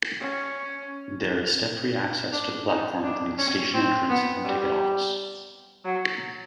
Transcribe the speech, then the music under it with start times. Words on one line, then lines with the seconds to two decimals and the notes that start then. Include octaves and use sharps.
There is step-free access to the platform from the station entrance and ticket office.
0.21 C#4
2.32 D4
2.68 D#4
3.04 D4
3.38 C#4
3.73 C4
4.09 B3
4.44 G3
5.85 F#3